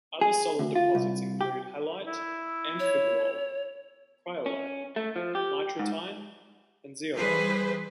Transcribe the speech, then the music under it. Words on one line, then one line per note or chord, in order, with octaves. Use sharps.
Other solid deposits include halite, amphibole, cryolite, nitratine, and zeolite.
G#4
D2
F4
C2
G4
E4
C#5
C#4
A3
F3
G4
G#2
E3 G3 G#4 B4 C5